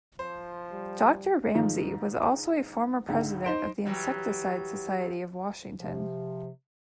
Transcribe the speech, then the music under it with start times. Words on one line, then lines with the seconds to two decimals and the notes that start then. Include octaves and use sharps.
Doctor Ramsay was also a former president of the Insecticide Society of Washington.
0.19 F3 C5
0.72 G3
1.55 G#2 D#3 F3
3.09 C#2 G#2 D3
3.44 D#4 C5 D7
3.85 E3 F#3 G3
5.79 C3 F3